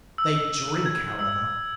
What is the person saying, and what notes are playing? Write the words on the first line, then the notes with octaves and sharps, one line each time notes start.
They drink, however.
E6
G#6
E6